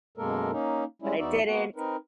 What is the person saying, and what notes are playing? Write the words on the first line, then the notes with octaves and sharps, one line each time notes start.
but I didn't,
F#2 B2 G#3 A#3 A4 A#4
A#3 C#4 D#4
G3 G#3 C#4 E4
E2 B3 D#4 F#4 D5 E5
A#3 B3 F#4 F#5
C4 D#4 A#4 B4